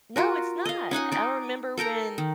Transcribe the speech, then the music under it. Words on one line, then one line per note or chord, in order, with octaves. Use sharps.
No, it's not. I remember when,
F4 F#4 A#4
D#5 F5
C#4 D#4 F#5 G#5
D#4 D5
A4 A#4 G5 A#5
D#3